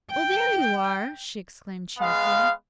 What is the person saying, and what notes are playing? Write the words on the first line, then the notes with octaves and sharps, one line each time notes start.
"Oh, there you are!" she exclaimed cheerfully.
G5
G#3 B3 F5